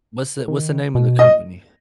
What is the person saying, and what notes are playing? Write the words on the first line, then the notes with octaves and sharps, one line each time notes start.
What's the what's the name of the company?
D#3
B2
D#5